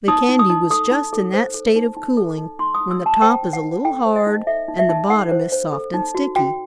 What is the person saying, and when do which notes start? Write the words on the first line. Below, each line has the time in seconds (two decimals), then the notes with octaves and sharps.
The candy was just in that state of cooling when the top is a little hard and the bottom is soft and sticky.
0.08 D#4 D#6
0.29 D#4
0.39 D#6
0.50 D#4
0.70 A4 D#6
0.91 D#4
1.13 A4
1.33 C5
1.54 A4
1.76 D#4
1.97 D#4
2.17 A4
2.38 D#4
2.59 D#4 C6
2.74 D#6
2.81 D#4
2.91 E6
3.01 G4 A5
3.16 A5
3.22 C5 G5
3.43 D#4
3.53 F#5
3.63 D#4
3.85 A4 G5
4.06 C5
4.16 D#5
4.27 D#4
4.47 A4 E5
4.68 D#4
4.79 E5
4.89 D#4
5.10 A4 F#5
5.32 C5
5.52 C5
5.73 A4
5.94 D#4
6.15 F#4
6.36 F#4 G5